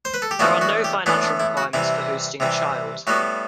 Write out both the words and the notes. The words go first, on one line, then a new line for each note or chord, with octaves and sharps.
There are no financial requirements for hosting a child.
C5
B4
A4
G4
A2 E3 B3 D4 F#4
F#4
G4
A2 E3 B3 D4 E4
D4
E4
F#4
C3 E3 G3 E4
C3 E3 G3
A2 G3 B3 F#4